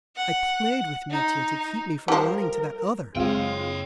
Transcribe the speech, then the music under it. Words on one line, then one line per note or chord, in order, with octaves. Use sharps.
I played with Mitya to keep me from running to that other.
F#5
D#4
F3 G3 A#4
F#1 G#3 C4 F4 C#5 G5